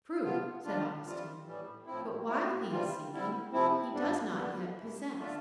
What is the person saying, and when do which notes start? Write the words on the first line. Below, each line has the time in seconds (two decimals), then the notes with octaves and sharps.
"True," said Augustine, "but while he is seeking he does not yet possess."
0.22 C3 F3 B3 F4
0.64 B2 G3 D4 F4
1.04 F2 E3 G3 C4 F4
1.46 A2 E3 G3
1.86 A2 F3 C4 E4
2.28 A2 G3 C4 E4
2.70 C3 E3 G3 C4 F4
3.11 D3 G3 C4 E4
3.52 C3 F3 C4 E4
3.93 G2 D3 G3 D4
4.34 E2 D3 G3 B3
4.76 F2 C3 E3
5.17 D3 A3 D4 F4